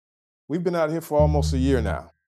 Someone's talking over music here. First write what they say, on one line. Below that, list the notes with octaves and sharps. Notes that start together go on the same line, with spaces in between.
we've been out here for almost a year now,
D#2